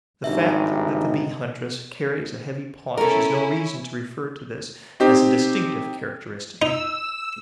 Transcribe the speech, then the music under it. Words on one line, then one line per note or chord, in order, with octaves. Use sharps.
The fact that the Bee-huntress carries a heavy paunch is no reason to refer to this as a distinctive characteristic.
G#1 G2 D#4 E5
C#4 E4 A4 A#4
C4 D#4 G4
D#4 E6